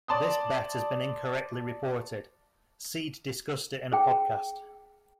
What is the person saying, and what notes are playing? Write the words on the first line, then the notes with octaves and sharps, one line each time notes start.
This bet has been incorrectly reported; Seed discussed it in a podcast.
D5 A5 C6 D#6
G#4 G5